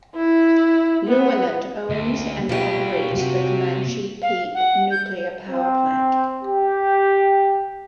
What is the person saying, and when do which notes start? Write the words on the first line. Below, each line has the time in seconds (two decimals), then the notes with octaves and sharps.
Luminant owns and operates the Comanche Peak Nuclear Power Plant.
0.15 E4
1.07 B3
1.90 D2
2.49 B2 F3 F#3 G4
3.18 C3 F#4
4.22 F5
4.54 F#5
4.91 G6
5.49 C4
6.44 G4